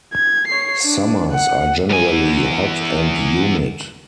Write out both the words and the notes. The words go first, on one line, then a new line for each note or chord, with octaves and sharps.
Summers are generally hot and humid.
G#6
C#5 C7
D4
F#5
E2 G#5